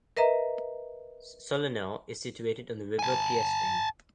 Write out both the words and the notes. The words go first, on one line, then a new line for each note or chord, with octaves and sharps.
Sollenau is situated on the river Piesting.
A#4 B4 D#5 E5 A#5
G#5 A5